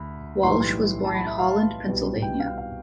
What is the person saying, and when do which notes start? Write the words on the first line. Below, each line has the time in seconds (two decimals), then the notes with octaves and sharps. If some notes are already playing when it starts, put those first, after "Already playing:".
Walsh was born in Holland, Pennsylvania.
Already playing: D2 B5
0.43 B1 A2 E3 G3 C6
1.05 A5
1.15 B5
1.27 E5
1.39 F5
1.50 A5
1.86 C2 B2 G3
2.22 G5
2.40 F5
2.58 F5